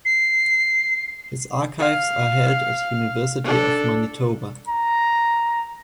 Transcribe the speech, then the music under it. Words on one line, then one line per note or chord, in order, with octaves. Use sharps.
His archives are held at University of Manitoba.
C7
F5
D4 A4
A#5